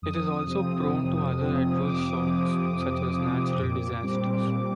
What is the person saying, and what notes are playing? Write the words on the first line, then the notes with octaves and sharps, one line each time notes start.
It is also prone to other adverse shocks such as natural disasters.
F2 D#6
C3 F3 C4
F2
C3 F3 C4
F2 D6
C3 F3 C4
F2
C3 F3 C4
A#2
G3 C4
A#2